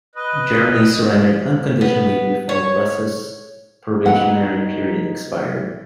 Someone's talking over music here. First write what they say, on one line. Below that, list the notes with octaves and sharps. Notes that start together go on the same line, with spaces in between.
Germany surrendered unconditionally before Busse's probationary period expired.
B4 D#5
B3
C#5
F#3 B3 D#4 F#5